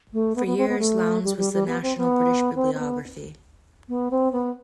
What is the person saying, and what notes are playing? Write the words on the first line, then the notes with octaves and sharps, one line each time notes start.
For years Lowndes was the national British bibliography.
A3
B3
B3
C4
B3
A3
G3
G3
G3
B3
C4
B3
C4
C4
B3
B3
C4
B3